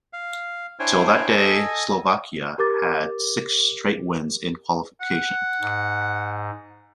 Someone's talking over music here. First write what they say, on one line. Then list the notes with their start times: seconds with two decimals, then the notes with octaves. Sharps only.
Till that day, Slovakia had six-straight wins in qualification.
0.13 F5
0.79 D4 E4 C5 C#5 G5 G#5
1.37 A4 D#5 G#5
2.58 G4 A#4 D6 A6
5.01 F#5
5.61 G#2